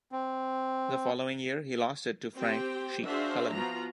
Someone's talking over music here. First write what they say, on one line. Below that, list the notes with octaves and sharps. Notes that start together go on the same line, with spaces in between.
The following year, he lost it to Frank "Chic" Cullen.
C4
C4 G4 C5 G5
D4 F#4 G#4 C5 E5 F5
F3 B3 F4 F#4 A#5